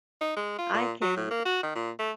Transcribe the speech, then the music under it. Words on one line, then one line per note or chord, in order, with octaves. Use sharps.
I can
D#4
G#3
F4
A#2
F#3
A2
A#3
F#4
D#3
A#2
A3